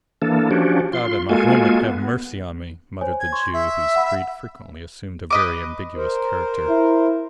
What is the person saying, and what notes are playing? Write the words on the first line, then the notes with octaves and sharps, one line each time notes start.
"God and Mahomet have mercy on me!" muttered the Jew, whose creed frequently assumed a very ambiguous character.
E3 A#3 D4 A4
F3 C#4 D4 F#4 G4
F4 C6
G#3 A#3 F4 F#4 A4 G#5
B3
C5 C#5 G#5
G#6
C6 C#6
E5
F#5 B5
B4 D#5 D6
A#4 C5
E4